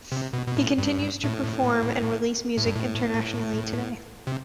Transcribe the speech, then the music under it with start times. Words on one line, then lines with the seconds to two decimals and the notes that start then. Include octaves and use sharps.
He continues to perform and release music internationally today.
0.12 C3
0.33 B2
0.47 B2
0.57 A2
0.78 G2
1.24 A2
2.57 A2
2.66 G2
2.75 A2
4.27 C3